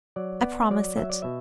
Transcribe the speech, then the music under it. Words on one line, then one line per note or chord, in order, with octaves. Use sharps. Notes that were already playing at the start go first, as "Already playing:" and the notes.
"I promise it."
F#3 D5
B3 D5
F#3 D5
F#3 E5
D5
B2 E5